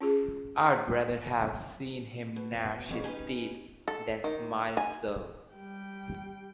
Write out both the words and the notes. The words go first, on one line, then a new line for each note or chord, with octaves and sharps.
I’d rather have seen him gnash his teeth than smile so.
C#4 F4 G#4
B2
F2 C#3
C#4 D#4 G4 B4 G#5
A4
D#3
G#5
G3 G5